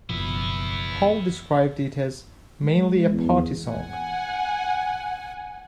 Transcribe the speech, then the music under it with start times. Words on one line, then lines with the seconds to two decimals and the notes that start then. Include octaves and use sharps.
Paul described it as ...mainly a party song.
0.09 F#1 B2 F3 B3 E4
2.63 G#3
3.11 E2
3.68 F#5 G#5